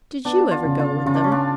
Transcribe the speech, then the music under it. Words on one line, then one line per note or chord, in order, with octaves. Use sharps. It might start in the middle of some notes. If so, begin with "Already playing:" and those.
Did you ever go with them?'
B3 D4
F4
C#3
F4
C#3 F4
D4
C#4
D4